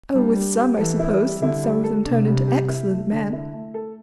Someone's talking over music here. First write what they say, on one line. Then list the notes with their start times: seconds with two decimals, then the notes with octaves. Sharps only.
"Oh, with some, I suppose; since some of them turn into excellent men."
0.15 G3 D4
0.36 G3
0.58 G4
0.78 E3 A4
0.99 E4
1.21 G3
1.41 D3 E4
1.63 G3
1.84 A4
2.05 C3 D4
2.27 G3
2.48 G4
2.69 E4
2.90 A3
3.11 D3
3.33 E4
3.53 A3
3.74 A4